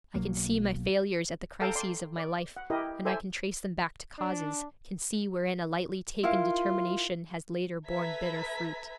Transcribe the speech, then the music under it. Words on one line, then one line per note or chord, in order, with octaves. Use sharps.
I can see my failures at the crises of my life, and I can trace them back to causes, can see wherein a lightly taken determination has later borne bitter fruit.
B1 F#3 A#3
A4 F5 G5 A5 A#5
D5 C6
D5
F#5
E4 G4 A#4 D#5
A4 C5 D5 E5 G#5 E6
D4
E4 F4 A#4 F5
A4 B4 E5 A#5 G#6 B6